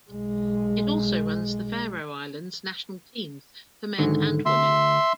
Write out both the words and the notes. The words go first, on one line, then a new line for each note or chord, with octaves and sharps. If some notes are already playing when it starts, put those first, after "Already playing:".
It also runs the Faroe Islands national teams for men and women.
B1 G#3
G#2 D3 D#3
D2 E5 C6